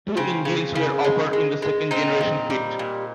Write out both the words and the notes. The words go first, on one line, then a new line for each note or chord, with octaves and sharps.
Two engines were offered in the second generation Fit.
C#3 C4
C#3
C#3
G#3
G#3
G#3
A#2 C4 D#4
A#2
G3
A#2